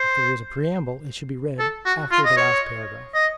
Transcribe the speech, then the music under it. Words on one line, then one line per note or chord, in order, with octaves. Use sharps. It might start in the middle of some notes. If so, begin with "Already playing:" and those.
If there is a preamble it should be read after the last paragraph.
Already playing: C5
A4
F#4
F4
D#5
C#5
D#5